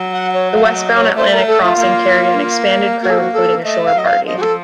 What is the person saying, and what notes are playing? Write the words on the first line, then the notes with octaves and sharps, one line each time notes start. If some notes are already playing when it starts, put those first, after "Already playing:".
The westbound Atlantic crossing carried an expanded crew including a shore party.
Already playing: F#3
F#5
C#5
F5
D#5
C#5
A3 C5
A#4
A4
F4
A#3
A#3 F#4
A4
F#4
A4
A3 D#5
F5
F#3 D#5
F5
F3 D#5
F#4
A4